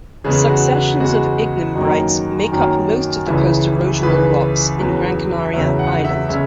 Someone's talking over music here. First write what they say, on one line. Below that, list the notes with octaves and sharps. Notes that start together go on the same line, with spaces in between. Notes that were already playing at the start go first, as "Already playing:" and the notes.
Successions of ignimbrites make up most of the post-erosional rocks in Gran Canaria Island.
E2 C#3 G#3 B3 G#4
F#4
F#4
E2 C#3 G#3 B3 F#4
F#2 D#3 F#3 A#3 D#4
F#2 D#3 F#3 A#3
C#2 C#3 E3 E4
C#2 C#3 E3 B4
E2 C#3 F#3
E2 C#3 F#3 E5
F#5
E5
C#3 G#3 C#4 E5